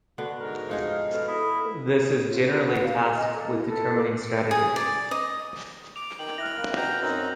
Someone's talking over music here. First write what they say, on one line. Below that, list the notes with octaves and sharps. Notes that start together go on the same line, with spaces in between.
This is generally tasked with determining strategy.
D3 B3 F#4
G#2 A#4
F3 D#4 G#4
F5
B2 A4
E4 D#5
F4
A#4
F#5
F5
A4
D#5
A4
E4
A4
D6
G#4
D5
D#5
D6 F7
D#3 G5 F#7
E4 F6 F#6 A#6
A#3
B2 G5 A#5 G6
F#2 C4 D#4 A#6